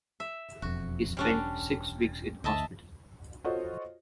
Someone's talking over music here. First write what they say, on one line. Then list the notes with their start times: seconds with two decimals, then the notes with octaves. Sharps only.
He spent six weeks in hospital.
0.20 E5
0.62 E1 F2 F#4
1.17 E1 G3 C#4 D4
2.44 D2 D#5 E5 A5
3.44 F4 F#4 A4 C5 C#5 D#5